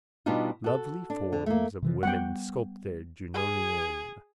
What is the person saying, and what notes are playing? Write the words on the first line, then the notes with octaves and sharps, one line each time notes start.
Lovely forms of women sculped Junonian.
B2 G3 D4 D#4 F4
F#4 A4
D4
D3
A3 A#3
C3 E3 F3
G3 G#3 B3 F#5 G5
G#4